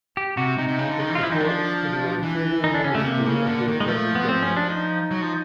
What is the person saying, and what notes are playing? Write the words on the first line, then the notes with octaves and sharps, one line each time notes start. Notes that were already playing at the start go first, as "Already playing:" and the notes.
It reports to the Ontario Ministry of the Attorney General.
G4
C3 F#4
C3 D#4
C3
C#3
D3
D#3
E3
F4
F3 E4
E3 D#4
F3 D4
E3
D#4
D4
D3 C#4
C#3 A3
C3 A#3
C#3
D3
D#3
G#3
F3 A3
B3
C4
C#4
D4
D#4
F#3
F3